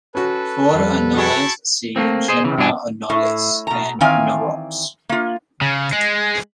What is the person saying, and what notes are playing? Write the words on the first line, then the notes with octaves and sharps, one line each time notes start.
For anoles see genera "Anolis" and "Norops".
C#4 F#4 A4 B4
F2 G3
E4 F#4 G#4 A5 C#6
A3 A#3 C4
G#4 C5 D#5
C#3 E3
G2 B2 E3 D4 G#5
A2
B2 A#5
D#3 E3 C4 D5 F5 G#5
A#3 F4
C#3
G#3